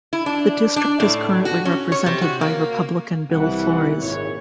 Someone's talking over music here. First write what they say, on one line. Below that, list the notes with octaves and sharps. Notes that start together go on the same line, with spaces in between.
The district is currently represented by Republican Bill Flores.
E4
D4
D4
A2
F#4
C#4
C#5
C3
F#4
A#3
C2 E3 F#5
G#1 A#2 E4 C#5